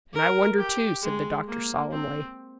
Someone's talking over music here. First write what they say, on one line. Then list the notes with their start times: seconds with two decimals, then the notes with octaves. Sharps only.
"And I wonder too," said the doctor solemnly.
0.14 A#4
0.58 G4
1.02 G#3
1.47 A#3
1.92 C4